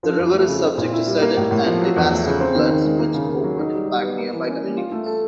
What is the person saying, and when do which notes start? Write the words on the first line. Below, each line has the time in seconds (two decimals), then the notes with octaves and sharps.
The river is subject to sudden and devastating floods which often impact nearby communities.
0.03 F3
0.18 F2
0.33 A3
0.48 C#3
0.62 C4
0.77 A#2
0.92 E4
1.07 G3
1.21 A#3
1.37 A2
1.51 A2
1.66 F3
1.81 F#3
1.96 E2
2.10 A3
2.25 C#3
2.40 C4
2.55 D#3
2.70 D#3
2.85 G#3
2.99 A#3
3.14 C#3
3.29 C#3
3.43 F#3
3.58 D#4
3.74 G3
3.88 G3
4.03 B3
4.18 A#3
4.33 E3
4.48 C#4
4.62 G3
4.77 F4
4.92 A3
5.06 A4